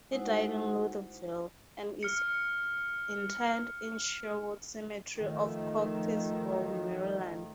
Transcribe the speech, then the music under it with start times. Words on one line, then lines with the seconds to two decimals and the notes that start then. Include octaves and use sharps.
He died in Lutherville, and is interred in Sherwood Cemetery of Cockeysville, Maryland.
0.11 G#3 D#4 E4 F#4 C5 F#5
2.03 F6 C#7
5.16 D#3 F3 A3